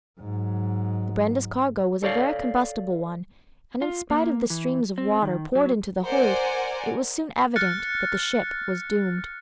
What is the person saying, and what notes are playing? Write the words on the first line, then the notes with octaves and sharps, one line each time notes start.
The Brenda's cargo was a very combustible one, and in spite of the streams of water poured into the hold it was soon evident that the ship was doomed.
G#2 F#3
A4 C#5 D5 F5
F4
A#3
E3
C4
D#3
F#3
A#4 C5 D5 F#5 G#5
F6 F#6 A6 C#7